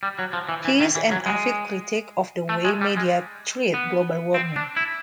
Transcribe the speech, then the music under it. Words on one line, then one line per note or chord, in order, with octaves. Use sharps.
He is an avid critic of the way media treat global warming.
G3
F#3
F3
E3
E3
D#3
E3
F#3
G#3
A3
G#3
G3
G#3
B3
C4
D4
E4